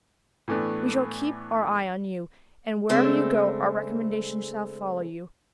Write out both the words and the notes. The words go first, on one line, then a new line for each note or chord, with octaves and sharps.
We shall keep our eye on you, and wherever you go, our recommendations shall follow you.
A2 E3 A3 B3 D4
C#3 G#3 A3 C4 D4